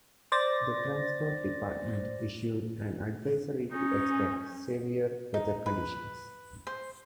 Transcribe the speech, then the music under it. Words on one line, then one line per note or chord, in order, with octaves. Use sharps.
The Transport Department issued an advisory to expect severe weather conditions.
C5 D5 A6 A#6
C#4 D#4
D#4
B4
C5